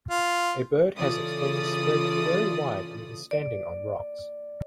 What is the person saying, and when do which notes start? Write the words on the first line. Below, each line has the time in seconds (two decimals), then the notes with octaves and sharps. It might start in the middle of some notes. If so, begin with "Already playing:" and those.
A bird has its wings spread very wide and is standing on rocks.
0.10 F4
0.97 C#3 E3 F4 A4 D5 D#6
3.31 D5